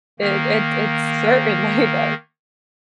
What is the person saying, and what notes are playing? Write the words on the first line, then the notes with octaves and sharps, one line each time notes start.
It it it certainly does.
D#3 A#3